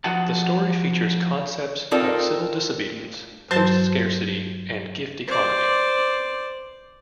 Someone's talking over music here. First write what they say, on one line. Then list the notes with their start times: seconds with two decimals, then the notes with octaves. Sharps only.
The story features concepts of civil disobedience, post scarcity and gift economy.
0.04 F3 F#4 D#5 F#5 A5
1.91 C4 D#4 F4 A4 A#4 D5
3.51 G2 F#3 F#4 C5 A5
5.27 C5 D5